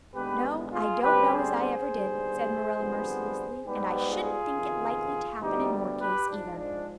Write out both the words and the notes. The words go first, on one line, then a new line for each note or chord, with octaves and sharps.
"No, I don't know as I ever did," said Marilla mercilessly, "and I shouldn't think it likely to happen in your case either."
D#2 D3 G#3 B3 G4 B4
F4 G#4
D2 D3 G3 C4 G4 B4
G#4 C5
G#4 C5
D#2 D3 G3 B3
F2 D3 G3 B3
G#2 G3 B3 G4 B4
F4 G#4
F2 C3 D#3 B3
D2 D3 G3 B3 D#4 G4
G4 B4
G#2 F3 G#3 D4
D4